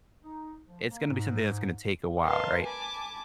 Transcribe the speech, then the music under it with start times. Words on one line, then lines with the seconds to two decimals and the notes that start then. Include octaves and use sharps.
it's gonna be something that's gonna take a while, right?
0.23 D#4
0.67 F3
0.91 A#3
1.10 G#2
2.24 A#4 B4 D#5 F5 A5 C6
2.64 G#5 A5 B5 D6